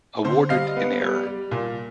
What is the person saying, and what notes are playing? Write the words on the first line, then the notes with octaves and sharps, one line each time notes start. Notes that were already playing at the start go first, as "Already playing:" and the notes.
Awarded in error.
D3 C5
G3 D#5 F5
B3
G3
G3
A#2